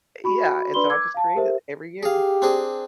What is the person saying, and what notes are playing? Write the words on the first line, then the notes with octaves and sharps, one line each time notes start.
Yeah, and so I just create it, every year.
F#4 B5 C#6
D4 B4 D5 B5 C6 G7
D6 E6 G#6
F5 A5
G4 A#4 C5 E5
G4 G#4 F5
C4 D4 G#4